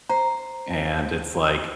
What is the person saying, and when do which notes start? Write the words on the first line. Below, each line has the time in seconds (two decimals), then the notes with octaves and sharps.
and, it's like
0.09 C5 A#5